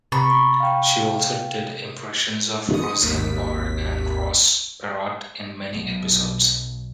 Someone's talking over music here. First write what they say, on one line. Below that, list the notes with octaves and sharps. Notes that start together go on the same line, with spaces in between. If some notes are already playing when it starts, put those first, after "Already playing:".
She also did impressions of Roseanne Barr and Ross Perot in many episodes.
C3 A#5 B5 C#6 A6
F5 G5
D#6 C#7
G#1 D#2 B6
B1